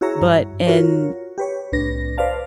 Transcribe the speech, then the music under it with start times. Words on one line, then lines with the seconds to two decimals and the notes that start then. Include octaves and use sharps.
but in
0.01 E4 F#4 G#4 C#5 E5 A#5
0.21 G2
0.67 F4 F#4 A#4 C#5
1.38 G4 B4 C#5
1.72 C2 A2 D4 B4 A#6
2.18 B4 C5 D5 F5 A5